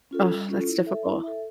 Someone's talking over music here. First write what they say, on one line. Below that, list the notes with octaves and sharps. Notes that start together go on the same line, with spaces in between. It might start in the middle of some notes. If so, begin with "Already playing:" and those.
Ugh, that's difficult.
C#4 F4 A4
G3
C#4 F4 A4
E4
A4 E5
E4
A4 E5